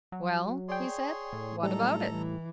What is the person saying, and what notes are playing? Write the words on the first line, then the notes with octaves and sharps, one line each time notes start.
"Well," he said, "what about it?"
F#3
G#4 C#5 D5 G5 C6
A2
F#3 G3 D#4 A4 A#5
E3